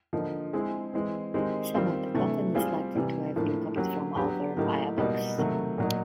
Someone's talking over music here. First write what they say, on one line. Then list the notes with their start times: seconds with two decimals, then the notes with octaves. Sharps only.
Some of the content is likely to have been copied from older Maya books.
0.13 D3 F3 A#3 D#4
0.53 G#3 C4 E4 G#4
0.94 E3 G#3 C4
1.34 D#3 G#3 C4 D#4 G4
1.74 D#3 G3 C4 F4
2.14 C3 E3 A3 D4
2.55 G3 C4 F4 G#4
2.95 C3 E3 G3
3.36 A2 F3 A#3 D4
3.76 F#3 A#3 C#4 E4 G4
4.16 F#3 B3 D4 G4
4.57 A2 F#3 A#3 D#4 G4
4.98 B2 G3 A#3 D#4 F#4
5.38 C3 D#3 F#3 A3
5.78 A#2 F#3 A#3 D#4